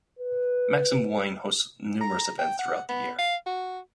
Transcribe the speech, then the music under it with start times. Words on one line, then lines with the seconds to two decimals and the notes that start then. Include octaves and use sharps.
Maxim Wien hosts numerous events throughout the year.
0.19 B4
2.01 A#5
2.39 G5
2.59 F#5
2.89 B3
3.18 F5
3.46 F#4